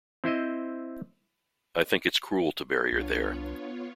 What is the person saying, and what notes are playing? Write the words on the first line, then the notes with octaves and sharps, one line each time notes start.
I think it’s cruel to bury her there.
C4 E4 C5 D#5
C2 B3 D4 F4 C#5